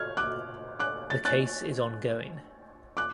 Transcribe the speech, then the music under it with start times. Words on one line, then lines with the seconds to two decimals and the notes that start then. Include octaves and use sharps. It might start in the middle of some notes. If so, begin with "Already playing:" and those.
The case is ongoing.
Already playing: F6 G#6
0.17 D6 F#6
0.79 D6 F#6
1.10 A6
1.25 F#6 A6
2.97 D6 F#6